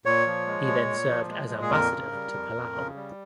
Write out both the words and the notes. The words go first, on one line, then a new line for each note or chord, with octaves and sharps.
He then served as ambassador to Palau.
A#2 C#5
F3
G#3
A#2
A#2
F3
G#3
A#2
G#4
F2 A#4
C#3
G3
F2
F2
C#3
G3